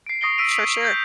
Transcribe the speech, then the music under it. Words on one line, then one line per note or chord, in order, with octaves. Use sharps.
For sure.
C7 D7
C#6 D#6 A#6 C7 D7 G7
E6 B6 D7 D#7 F7
B6
C7
G6